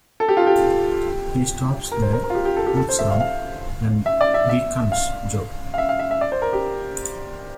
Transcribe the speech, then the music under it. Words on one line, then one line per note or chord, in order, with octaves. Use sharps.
He stops there, looks round, and beckons Jo.
A4
G4
F4
G4
A#4
C5
A#4
A#4
F4
G4
G4
A4
G4
A4
C5
E5
F5
F5
E5
D5
E5
E5
F5
F5
E5
F5
E5
E5
D5
C5
A#4
G4